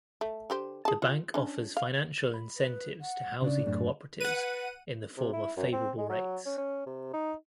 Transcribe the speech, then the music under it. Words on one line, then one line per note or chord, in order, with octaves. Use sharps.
The bank offers financial incentives to housing cooperatives in the form of favorable rates.
A3
D3 G4 C5
G#4 A5
F4
C#4 D4
F5
B5
B4
F#5
C#3 D4 D5
F#2 A2 D4
B4 F#5 D#7
C3
E4
F#2
C4
G#3
F#3
C#4
C#4
C3
D#4